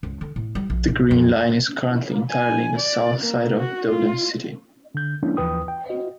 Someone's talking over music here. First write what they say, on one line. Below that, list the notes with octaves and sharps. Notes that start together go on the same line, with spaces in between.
The Green Line is currently entirely in the south side of Dublin city.
C#2
D3
A2
G3
A#1
A1
F2
G#5
D5
A#3
F#4
F4
D3 G6
F3 G#3 A#3 C#4 D4 E4
D#2 E3 F3 B4 G5 D#6
G5
F#4 D#5